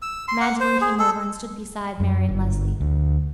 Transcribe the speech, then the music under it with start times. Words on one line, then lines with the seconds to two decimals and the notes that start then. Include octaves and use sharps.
Magdalen came over and stood beside Marian Lesley.
0.02 E6
0.28 C6
0.41 F#5
0.60 C5
0.82 G#4
0.99 A4
2.00 F#2
2.29 G1
2.80 D2